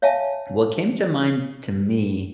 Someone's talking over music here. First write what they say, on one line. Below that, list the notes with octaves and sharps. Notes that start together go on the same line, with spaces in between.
what came to mind to me,
C#5 E5 F5 G#5 A5